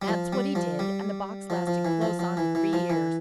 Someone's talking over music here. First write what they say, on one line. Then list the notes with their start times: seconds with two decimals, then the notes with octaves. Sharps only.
That's what he did, and the balk's lasted close on to three years.
0.02 G3
0.08 F3
0.33 G3
0.55 F3
0.79 G3
1.50 F3
1.67 F3
1.85 E3
2.02 F3
2.19 F3
2.37 E3
2.55 E3
2.73 F3
2.90 E3